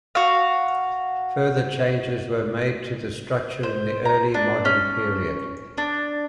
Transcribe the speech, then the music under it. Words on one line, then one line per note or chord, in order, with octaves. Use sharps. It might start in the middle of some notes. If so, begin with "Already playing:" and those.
Further changes were made to the structure in the early modern period.
F#4 F5
C5
A#5
D4
C#4
D4